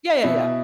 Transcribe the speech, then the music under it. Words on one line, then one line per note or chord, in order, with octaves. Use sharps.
Yeah, yeah, yeah.
B2 E4